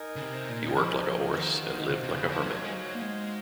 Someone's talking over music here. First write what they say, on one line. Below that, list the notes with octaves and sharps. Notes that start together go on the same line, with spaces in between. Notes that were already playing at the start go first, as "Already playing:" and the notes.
He worked like a horse and lived like a hermit.
Already playing: D#4 A#4 D#5 G#5
C#3
C3
A#2
F3
D#3 D#4 F#4 C5 F5 G#5
C3
C3
C#3
F3
F#3
G#3
F#3
A#3
G#3